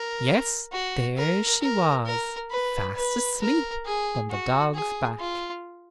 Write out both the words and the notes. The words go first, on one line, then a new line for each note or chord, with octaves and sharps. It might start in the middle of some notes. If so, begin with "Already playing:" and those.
Yes, there she was, fast asleep on the dog's back.
Already playing: A#4
F#4
A#4
A#4
A#4
B4
B4
A#4
G#4
F#4
G#4
F4